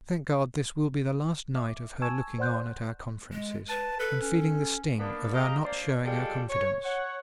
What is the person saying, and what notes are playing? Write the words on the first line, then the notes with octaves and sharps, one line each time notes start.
Thank God, this will be the last night of her looking on at our conferences, and feeling the sting of our not showing our confidence.
E5 D6
G#5 A5 C#6 E6 G#6 E7
C5 D5 F#5 C6 F#6 G6
G#3
B4 A5
A4 B4
C#4
A#3 B3 D4
G#3 G4 D#5 F5 A#5
A#3 D4 C5 D5
G3 G#3 F4 A4 D5 G5
C#5
C#5 F#5